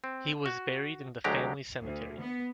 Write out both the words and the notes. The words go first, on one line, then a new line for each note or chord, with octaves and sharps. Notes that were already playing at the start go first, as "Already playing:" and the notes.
He was buried in the family cemetery.
C4
F#4
D2 F#3 G#3 G4 A#5
D2
B3